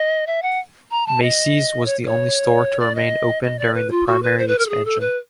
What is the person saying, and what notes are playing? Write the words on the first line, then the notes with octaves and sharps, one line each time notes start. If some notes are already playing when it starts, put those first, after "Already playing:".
Macy's was the only store to remain open during the primary expansion.
Already playing: D#5
E5
F#5
A#5
A5
D#5
C#5
C#5
D5
D#5
D#5
D5
B4
F4
F#4
B4
C5
B4
A#4
A4
G#4
A4
B4